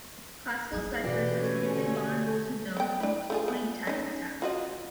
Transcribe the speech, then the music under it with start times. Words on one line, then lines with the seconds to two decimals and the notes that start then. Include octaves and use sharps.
Classical ciphers are typically vulnerable to known-plaintext attack.
0.72 F#3 G#3 G#4
1.04 B2 E3 F#4 G4 D5
1.34 A3 C#4
1.75 D3
2.77 B3 G5
3.00 D4 E4
3.30 A3 F4 G#4
3.48 B3
3.87 C#4 D#4
4.42 F4 F#4 D#5